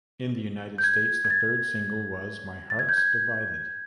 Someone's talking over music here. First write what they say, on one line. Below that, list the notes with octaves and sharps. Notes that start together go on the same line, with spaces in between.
In the United States, the third single was "My Heart's Divided".
G6
G#6
G#6
A6
A6
G#6
G6
G#6